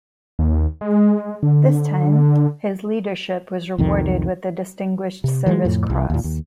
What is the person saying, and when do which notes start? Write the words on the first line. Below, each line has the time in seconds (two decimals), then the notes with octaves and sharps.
This time, his leadership was rewarded with the Distinguished Service Cross.
0.39 D#2
0.81 G#3
1.43 D3
3.78 C2 F2 D#3
5.24 C3
5.46 E3 F#3 G#3
5.65 F2 A2
5.90 C2
6.10 D#2 A#2
6.24 D#2